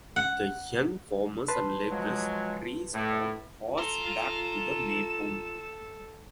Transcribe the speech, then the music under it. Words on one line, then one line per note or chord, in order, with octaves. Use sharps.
The young farmers and laborers raced on horseback to the maypole.
F#5
B4 A5 C6
F3 F#3 G#3
A2
F4 A4 A#5 C6 E7